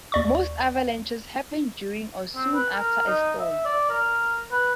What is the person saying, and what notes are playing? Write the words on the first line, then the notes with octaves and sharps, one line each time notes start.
Most avalanches happen during or soon after a storm.
D#2 D5 C#6
C4
B4
A#4
D#4
E5
D5
A#4
B4